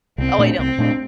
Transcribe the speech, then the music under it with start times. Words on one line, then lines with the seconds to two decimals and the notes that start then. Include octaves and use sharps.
Oh, I know.
0.18 C2 C4
0.38 A#2 A3 D4
0.59 C2 C4
0.78 A#2 A3 D4